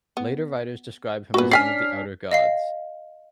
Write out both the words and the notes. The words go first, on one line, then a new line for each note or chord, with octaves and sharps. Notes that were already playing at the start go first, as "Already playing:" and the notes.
Later writers describe him as one of the Outer Gods.
B3
G2 A#2 B3 F#4 B4
C#4 D4 D5 G5 G#5 F6 B6 C7
D#5 F5 C7